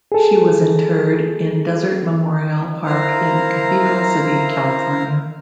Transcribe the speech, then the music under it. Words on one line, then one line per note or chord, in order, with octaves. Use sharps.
She was interred in Desert Memorial Park in Cathedral City, California.
G#4 A4
E4 A#4 C5 F5 A#5